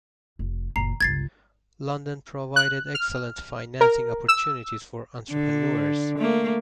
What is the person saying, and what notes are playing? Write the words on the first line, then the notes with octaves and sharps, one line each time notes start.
London provided excellent financing opportunities for entrepreneurs.
F1
F#1 A#2 A#5 C7
G1 C#2 G#6 A6 C7
F#6
F6
A#4
E6
D3
A3 A#3